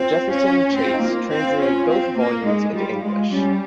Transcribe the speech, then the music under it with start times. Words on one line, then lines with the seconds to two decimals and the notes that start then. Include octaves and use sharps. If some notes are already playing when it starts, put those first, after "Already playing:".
Jefferson Chase translated both volumes into English.
Already playing: C4 F4
0.32 C#4
0.75 C4
0.84 F4
0.94 D#4
1.03 A#3 F4
1.32 C4
1.61 C#4
1.89 C4
2.18 A#3
2.45 G#3 D#4
2.74 G3 F4
3.03 G#3 F4
3.31 G3 C#4